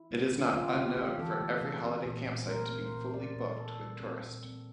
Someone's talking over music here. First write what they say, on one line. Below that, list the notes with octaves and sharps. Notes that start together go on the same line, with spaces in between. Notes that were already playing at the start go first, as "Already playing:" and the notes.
It is not unknown for every holiday campsite to be fully booked with tourists.
Already playing: E4
C4
D3
A3 F4
C3 G4
C4 G4
E3 A4
A3
C3
C4
A#2
A#2
C5
A3 A#4
C4
C5
A#2
C4 D5
A#2
A#2 A4
G3
C4
A#2
C4